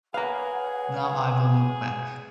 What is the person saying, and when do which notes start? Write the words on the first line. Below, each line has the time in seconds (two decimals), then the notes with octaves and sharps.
Now I’ll look back.
0.14 G#4 B4 C#5 F5 F#5 A#5